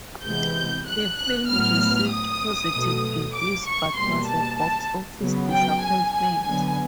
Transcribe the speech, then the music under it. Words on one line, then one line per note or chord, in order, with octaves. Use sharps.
The film received positive reviews, but was a box office disappointment.
C3 E3 G#3 B3 G6
F#6
F#6
A2 F#3 B3 F6
D#6
B2 F#3 A3
D6
C#6
B2 G3 A#3 C6
A5
A5
C#3 F#3 B3
G5
G#5
G#5
D3 F#3 B3 G#5